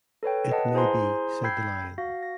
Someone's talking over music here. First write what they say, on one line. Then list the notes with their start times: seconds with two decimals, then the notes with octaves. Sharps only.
"It may be," said the Lion.
0.23 A4 B4 C#5 G5
0.51 B4 D#5 F#5 A5
0.73 E4 G#4 C5 G#5 A#5 C6
1.44 G5 B5 E6 G6 G#6 C7
1.98 F#4 F5 A#6
2.23 A#6